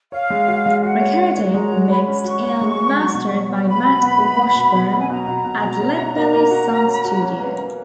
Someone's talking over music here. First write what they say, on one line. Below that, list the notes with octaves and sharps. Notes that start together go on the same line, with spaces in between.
Recorded, mixed, and mastered by Matt Washburn at LedBelly Sound Studio.
C#5 F5
G#3
F#4
G#3
F#4 F#5
C#5
C#5
C#5
G#3 A#5
F#4
C#5 B5
C#4
F#4 C#6
C#5
G#3
C#5
F#3
B2
F#3
B3
F#3 B5
B2
B3
B2
B3
B2
B2
F#3
G#5
B2 A#5
B2
B2
B2
C#4
F#4
A#3
A#3
F#4
A#3
C#4
F#4
C#4
B4
C#4